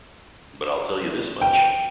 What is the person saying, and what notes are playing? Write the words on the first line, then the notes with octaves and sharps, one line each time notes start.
But I'll tell you this much.
G5